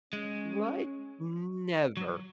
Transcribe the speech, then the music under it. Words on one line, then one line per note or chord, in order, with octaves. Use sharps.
Like, never.
G#3 C#4
F#3